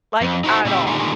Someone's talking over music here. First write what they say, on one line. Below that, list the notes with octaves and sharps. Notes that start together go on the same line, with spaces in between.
Like, at all.
F2
D#4 E4 F#4 C5 F#5
A#2 C#3 E4 G4
A#2 D3 D#3 G3 G#3